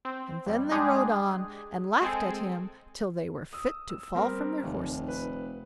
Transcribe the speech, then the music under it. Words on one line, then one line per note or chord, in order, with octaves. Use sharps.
And then they rode on, and laughed at him till they were fit to fall from their horses.
C4
F2 G3
G#3 D4 G4 G#4
G#3 C4 G#4 A4
D#6 E6
E6
G3 C4 A#4
F1 D#2
B4